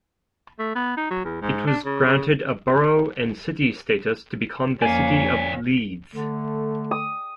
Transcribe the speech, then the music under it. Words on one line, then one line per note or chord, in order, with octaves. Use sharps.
It was granted a borough and city status to become the City of Leeds.
A3
B3
D#4
F#3
E2
G#2
D4
C#3
C#3
F2 A#3 C#4 D5 F5 G#5
D3 A3
D#6